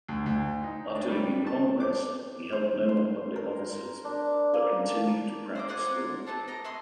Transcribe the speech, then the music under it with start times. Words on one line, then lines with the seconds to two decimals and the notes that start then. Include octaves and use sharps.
After leaving Congress, he held no more public offices, but continued to practice law.
0.08 D2
0.26 D2
0.64 D#4
0.95 D4
1.10 G3
1.47 A5
1.80 D6
2.53 C5
2.89 C6
3.36 A#4
4.05 D4
4.54 A#3
5.55 C5 D#5 D6
5.69 C5 D5 F#5 G#5
5.95 A#4
6.27 B3 C4 D#4 A5
6.48 A#4 D#5 A#5
6.64 E4 F#4 D#5 C6